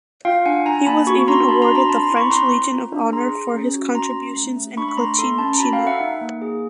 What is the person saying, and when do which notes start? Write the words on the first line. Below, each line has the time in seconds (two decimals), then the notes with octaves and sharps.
He was even awarded the French Legion of Honor for his contributions in Cochinchina.
0.25 F4 F5 G5
0.46 D4 F#5 G#5
0.66 D4 G#5 A#5
0.87 A#3 A5 B5
1.07 F#4 B5 C#6
1.28 D4 A#5 C6
1.48 F#4 A5 B5
1.62 A#5 C6
1.69 D4
1.75 A#5 C6
1.89 C4 A5 B5
2.03 A#5 C6
2.10 E4
2.17 B5 C#6
2.30 C4 A#5 C6
2.51 C4
2.72 F4
2.92 D4
3.13 G#4 A#5 C6
3.33 G#4
3.54 C#4
3.74 F#4
3.95 C#4 A#5 C6
4.16 C#4
4.36 A3
4.57 A3
4.77 D4 B5 C#6
4.89 B5
4.97 A3 A#5 C6
5.18 A4 A#5 C6
5.38 C#4 A5 B5
5.54 A#5
5.59 F#4 A5 B5
5.73 F5 G5
5.80 A4
5.87 E5 F#5
6.01 D#4
6.21 A#3
6.42 G#4